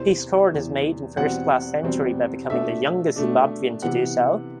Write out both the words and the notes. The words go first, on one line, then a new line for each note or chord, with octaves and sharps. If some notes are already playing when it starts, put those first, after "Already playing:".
He scored his maiden first-class century by becoming the youngest Zimbabwean to do so.
Already playing: E2 C3 E3 C5
E2 C3 E3
E2 B2 G3 C4 F#5
E2 B2 G3 C4
B2 A3 D4 E5
B2 A3 D4
C3 E3 B3 F#5